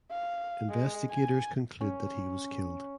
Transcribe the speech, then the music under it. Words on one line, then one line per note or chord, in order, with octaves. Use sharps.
Investigators conclude that he was killed.
F5
G#3
G#5
C#4